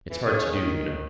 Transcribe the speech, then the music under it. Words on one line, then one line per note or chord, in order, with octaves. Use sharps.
It's hard to do, you know.
E3
D#3
C#3
D#3